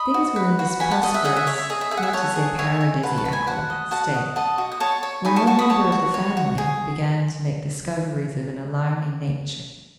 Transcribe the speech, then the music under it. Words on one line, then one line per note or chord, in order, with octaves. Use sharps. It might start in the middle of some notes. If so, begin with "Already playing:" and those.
Things were in this prosperous, not to say paradisiacal, state, when one member of the family began to make discoveries of an alarming nature.
Already playing: D#5 B5 D#6
F#4
B4
F#4
F#4 G#5 B5
F#5 A5
D#5 F#5 A5
E5
G#4 D#5 F#5
E5
C#5 E5
E5
G#4 D#5
E5
G#4 E5
F#5
E5 G#5
C#5 F#5 A5
G#4
C#5 E5 G#5
C#5
B4 F#5 A5
A5 C#6
B4
G#5 B5
F#4 F#5 A5
D#5
F#4 F#5 A5
D#5
D#5 F#5 A5
F#4
D#6
C#5 A5 C#6
C#5
D#4 G#5 B5
A5 C#6
F#4 A5 C#6
B5 D#6
C#5 A5 C#6
F#4
C#5
F#4
G#4